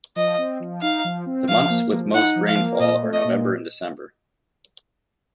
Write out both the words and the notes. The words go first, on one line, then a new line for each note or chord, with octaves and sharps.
The months with most rainfall are November and December.
F3 D#5
C4
F3
D#4 F5
F3
C4
F3 F5
A#3
F3
D#4 F#5
F3
F5
A#3
A#2 D#5
A3
D#5
A#2